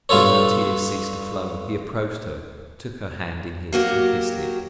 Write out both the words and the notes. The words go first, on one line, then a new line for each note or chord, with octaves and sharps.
When her tears ceased to flow, he approached her, took her hand in his and kissed it.
G2 G3 F4 A4 C#5
F#3 A#3 F#4 G4